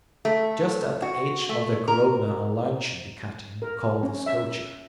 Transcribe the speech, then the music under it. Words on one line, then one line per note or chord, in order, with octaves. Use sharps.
Just at the edge of the corona a line should be cut in, called the scotia.
A3
F#4
A3
A#4
A#4
C#4
E5